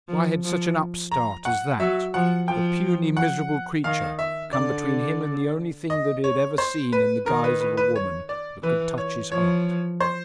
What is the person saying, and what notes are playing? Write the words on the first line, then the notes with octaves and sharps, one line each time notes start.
Why had such an upstart as that, a puny, miserable creature, come between him and the only thing that he had ever seen in the guise of a woman that could touch his heart?
F3
F3
A#5
F#5
F#3 E5
F3 F#5
F3 G5
F#5
D#3 F5
E5
D3 D5
D#5
C#5
C5
B4
D#3 A#4
B4
B4
B4
C#5
D5
E3 B4
C#5
F3 C#5
C5